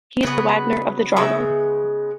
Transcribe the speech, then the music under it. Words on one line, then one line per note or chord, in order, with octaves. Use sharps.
He is the Wagner of the drama.
C#3 F#3 B3 B4
C#3 G#3 B3 E5